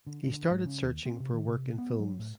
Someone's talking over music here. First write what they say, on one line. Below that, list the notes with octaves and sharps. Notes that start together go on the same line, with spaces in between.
He started searching for work in films.
D3
D3
G#2
C#3
D#2
C4
C3
D#3
C3
B3
F#3
A2